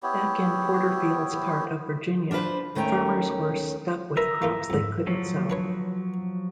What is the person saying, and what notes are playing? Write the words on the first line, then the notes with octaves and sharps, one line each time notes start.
Back in Porterfield's part of Virginia, farmers were stuck with crops they couldn't sell.
B3 E4 G4 C#5
D4 F4 G4 B4 C5
D#2 D#3 A3 C#4 G5 A#5
A#4 B4 E5 A#5
A#3 F4 A4
F2 G#2
F3 F#3
D4 B4 C#5